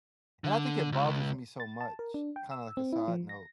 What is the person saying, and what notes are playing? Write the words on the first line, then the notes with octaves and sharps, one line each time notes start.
and I think it bothers me so much, kinda, like a side note,
D3
C#2
A6
A5
A#4
D4
G5
E6
C4
E4
F3
A#6